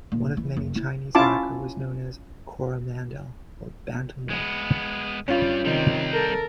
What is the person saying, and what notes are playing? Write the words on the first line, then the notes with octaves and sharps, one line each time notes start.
One of many Chinese lacquer was known as "Coromandel" or "bantomwork".
A#2 D#3
E3
F#1
E4
C#4 E4 F4 A5 D6
G#3 B3
G2 G3 C#4 F4
C3 D#3 G3 C4
A4 A#4